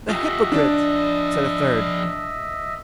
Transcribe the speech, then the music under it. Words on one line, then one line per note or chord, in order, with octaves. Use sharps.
"The hypocrite!" said a third.
F4 G4 D#5 E5
F3 D4 D5